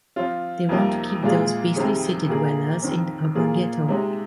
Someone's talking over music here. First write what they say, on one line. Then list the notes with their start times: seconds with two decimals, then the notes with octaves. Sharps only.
They want to keep those beastly city-dwellers in the urban ghetto.
0.16 F3 C4 F4
0.69 F2 C3 F3 A#3 D#4
1.23 A#2 G#3 F4 G#4
1.76 F2 C3 D#3 C4 G#4
2.29 A#2 A#3 G#4
2.82 F2 D#3 C4
3.35 A#2 A#3 F4 G#4
3.88 C3 G#3 D#4